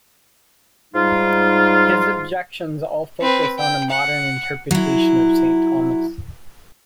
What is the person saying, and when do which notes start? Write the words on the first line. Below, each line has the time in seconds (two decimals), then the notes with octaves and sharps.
His objections all focus on a modern interpretation of Saint Thomas.
0.94 G#2 G3 D#4 F4
3.21 C4 B4
3.58 G5
3.90 F#5
4.71 F#3 E4